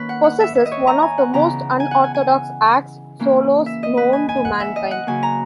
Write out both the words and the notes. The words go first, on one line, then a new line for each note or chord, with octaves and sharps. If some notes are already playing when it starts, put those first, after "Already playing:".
Possesses one of the most unorthodox 'axe' solos known to mankind.
Already playing: D#3 A#3 C#4 B4 C#5
F#5
F#5
E5
E5
D#5
C#5
A#5
G#5
F#5
C#3 E3 B3 A#5
G#5
F#5
G#5
G#5
E3 A#3 C#4
E5
D#5
B4
G#5
G#5
F#5
E5
D#5
F#5
C#3 F#3 A#3 C#4 G#5
A#5